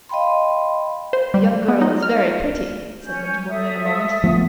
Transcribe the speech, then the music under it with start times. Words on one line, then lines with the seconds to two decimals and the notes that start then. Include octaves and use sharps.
"The young girl is very pretty," said Winterbourne in a moment.
0.09 D#5 F5 G5 B5 C6
1.13 C5
1.34 G3
1.68 B3
1.81 D#4
2.02 F6
3.03 C#4 G6
3.49 A4 E5 D#6
4.24 F3 A3 B3